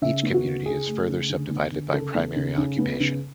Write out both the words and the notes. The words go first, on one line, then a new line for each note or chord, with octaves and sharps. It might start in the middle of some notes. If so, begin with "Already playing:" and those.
Each community is further subdivided by primary occupation.
C#3 E5
B3
F#4
C#3
C#3 G#4
A3
C#3
D3
B3
D3
C#3 A4
B3
C#3
C#3
B3
C#3